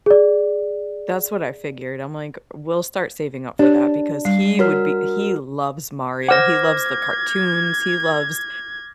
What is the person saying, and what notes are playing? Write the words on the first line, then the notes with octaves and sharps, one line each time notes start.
That's what I figured. I'm like, we'll start saving up for that, because he would be he loves Mario, he loves the cartoons, he loves
G#4 D5
D4 G4 C#5
G3 C7
F#4 A#4 C#5 F6
C5 F#5 D6 F6 G#6 A#6